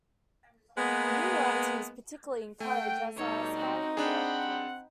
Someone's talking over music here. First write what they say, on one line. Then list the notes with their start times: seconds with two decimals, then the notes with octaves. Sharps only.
New writing is particularly encouraged, as are aspiring directors.
0.78 G#3 A#3 B3
2.60 A3 F#5 G5
3.17 B2 G3 D#4 A4 C#5
3.55 C4 F#4
3.97 C4 D4 G#4 F#5 G5 B5